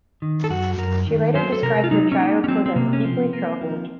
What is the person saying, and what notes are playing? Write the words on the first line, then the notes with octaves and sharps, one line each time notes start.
She later described her childhood as deeply troubled.
D#3
A4
F#2 F#4
F#2 A#4
D#3
F#3 C5
A4
C3 A#4
F4
F#3 D#4
C#4
A#3 D#4
C#4
F#3 C4
C4
C3 A#3
C#4
F3 C4
A#3
F3